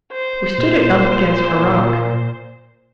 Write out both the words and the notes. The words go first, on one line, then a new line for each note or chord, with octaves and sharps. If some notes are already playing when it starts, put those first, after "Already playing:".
We stood it up against a rock.
C5
A#2